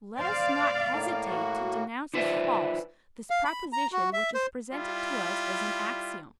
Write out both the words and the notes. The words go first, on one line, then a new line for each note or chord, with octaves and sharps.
Let us not hesitate to denounce as false this proposition which is presented to us as an axiom.
C5 D5 F5
A2 A#3
F#4
D#4 F4 B4 C5 D5 E5
F5
B5
A#5
F#4
E5
C5
G3 E4 F4